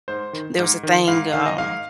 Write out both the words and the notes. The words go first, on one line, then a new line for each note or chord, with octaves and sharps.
there was a thing, um,
G#2 C5
D#3
G#2
D#3
G#2 F5
D#3 F5
D#5
G#2 F5